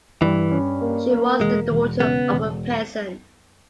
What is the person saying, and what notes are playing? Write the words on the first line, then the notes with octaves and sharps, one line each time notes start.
She was the daughter of a peasant.
G2 E3
C#4
A#3
A#3
E1 G#3
E1
C#3 B3
E1